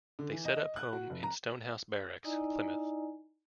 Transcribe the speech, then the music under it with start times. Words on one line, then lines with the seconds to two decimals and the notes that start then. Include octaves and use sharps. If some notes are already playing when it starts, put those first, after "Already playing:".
They set up home in Stonehouse Barracks, Plymouth.
0.19 D3
0.32 E3
0.45 D#5
0.57 D#5
0.76 F#6
0.93 F#4
1.10 F1
1.23 A#5
2.24 D#4 E4 D5 D#5 G#5 A#5